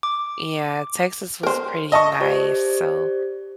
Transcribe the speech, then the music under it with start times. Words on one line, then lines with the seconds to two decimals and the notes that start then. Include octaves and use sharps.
Yeah, Texas was pretty nice, so
0.03 D6
1.43 A#4 C5
1.92 D#5 A5 C#6
2.21 G4 C5 D5